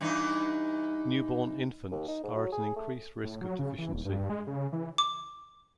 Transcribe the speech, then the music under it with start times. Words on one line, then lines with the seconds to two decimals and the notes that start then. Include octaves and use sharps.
Newborn infants are at an increased risk of deficiency.
0.01 G2 E3 D#4
1.92 D#2
2.08 D#4
2.24 G#2
2.36 F#3
2.52 G#4
2.76 A3
3.24 A2
3.41 F#3
3.59 C#3
3.78 E3
3.93 D#1
4.05 G2
4.30 G#3
4.47 C#3
4.72 E3
4.98 D6